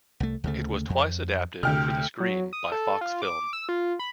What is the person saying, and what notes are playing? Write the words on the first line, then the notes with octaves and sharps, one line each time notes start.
It was twice adapted for the screen by Fox Film.
C2 A3
D2 C#3 A3
F2
D2 C3 G5 F6
F#3
D#6
A4
F4
D6
E6
F4
B5